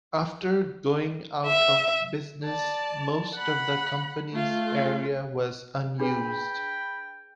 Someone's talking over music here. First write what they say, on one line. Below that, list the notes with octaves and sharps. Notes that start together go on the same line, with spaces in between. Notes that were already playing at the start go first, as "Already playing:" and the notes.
After going out of business most of the company's area was unused.
E5
D5 A5
F#5 B5
A3 F4
D4 G#4 B4 G5 B5